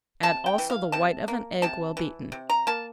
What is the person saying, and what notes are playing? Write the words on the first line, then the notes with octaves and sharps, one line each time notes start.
Add also the white of an egg well-beaten.
C3 A5
G5
E3
F5
C3 A5
A#3
C3 A5
E3
C3
A#5
A#3 A5